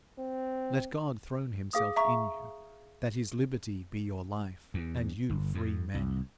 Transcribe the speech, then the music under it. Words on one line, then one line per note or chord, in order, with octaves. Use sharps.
Let God throne himself in you, that his liberty be your life, and you free men.
C4
G#4 F5 D#6
E5 A#5 C#6
E2
G1
F2
C2